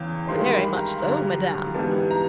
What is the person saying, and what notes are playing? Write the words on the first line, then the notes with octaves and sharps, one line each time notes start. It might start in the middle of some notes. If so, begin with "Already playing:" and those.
"Very much so, madame."
Already playing: E2 C#3 E3 G5
G2 D#3 G#3 C6
B5
A#5
G2 D3 F#3
G#2 E3 G3 B3 A5
A#5